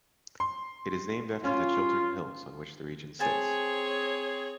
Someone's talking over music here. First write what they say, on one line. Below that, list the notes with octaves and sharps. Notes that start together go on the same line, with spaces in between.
It is named after the Chiltern Hills on which the region sits.
C6
C#4 F4
C4 G#4 C#5 G#5 A5